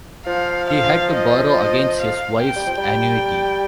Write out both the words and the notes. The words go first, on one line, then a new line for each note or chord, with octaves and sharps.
He had to borrow against his wife's annuity.
F3 F5
F5
D#5
D#5
F5
G5
G3
F3
G3